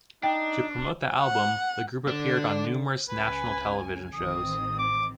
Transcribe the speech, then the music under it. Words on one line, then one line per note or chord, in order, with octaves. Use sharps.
To promote the album, the group appeared on numerous national television shows.
D4 D#4 G5
F#5
D3 D4
C#2 C#3 B4 G#5
A1 D#3 C4 D#6
D6